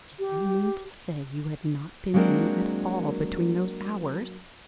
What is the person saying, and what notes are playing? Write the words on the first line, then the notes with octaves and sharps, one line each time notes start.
"Do you mean to say you had not been in at all, between those hours!"
G4
F#3 G#3 A#3 C4 D4 A#4